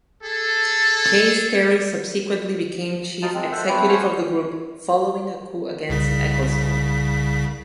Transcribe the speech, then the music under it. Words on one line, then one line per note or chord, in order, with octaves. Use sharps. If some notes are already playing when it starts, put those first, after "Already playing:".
Chase Carey subsequently became chief executive of the Group, following a coup against Ecclestone.
G#4 A4
D#4 F4 A5
G#3 C4
A4 C5 E5 F#5
A3 C4 E4 G4 B4
C#4 F#4 C5 G#5 C6
C2 C#3 B6